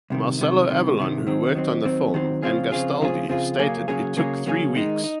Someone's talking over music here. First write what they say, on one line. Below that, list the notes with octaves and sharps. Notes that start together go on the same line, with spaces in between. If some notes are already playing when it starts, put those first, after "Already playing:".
Marcello Avallone who worked on the film and Gastaldi stated it took three weeks.
C2 C3 D#3
C2 C3 D#3
C2 C3 D#3
C2 C3 D#3
D#3 F#3 C4
D#3 F#3 C4
D#3 F#3 C4
D#3 F#3 C4
C#3 F3 C4 F4 G#4
C#3 F3 C4 F4 G#4
C#3 F3 C4 F4 G#4
C#3 F3 C4 F4 G#4
C#3 F#3 A#3 C#4 G#4
C#3 F#3 A#3 C#4 G#4
C#3 F#3 A#3 C#4 G#4
C#3 F#3 A#3 C#4 G#4
D#3 G#3 D#4
D#4